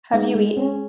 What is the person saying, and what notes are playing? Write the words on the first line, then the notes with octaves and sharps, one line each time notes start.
Have you eaten?
G#3 B3 D#4
G#3
C#4